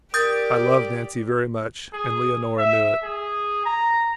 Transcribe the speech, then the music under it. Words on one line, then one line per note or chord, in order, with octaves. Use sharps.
I loved Nancy very much--and Leonora knew it.
G4 A#4 D5 D#6 G6 A6
G#4
E5
G#4
A#5